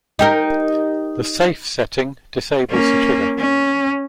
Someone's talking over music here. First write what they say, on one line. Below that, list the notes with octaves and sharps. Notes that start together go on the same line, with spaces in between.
The "safe" setting disables the trigger.
D#4 G4 A#4
A#3 C#4
C#4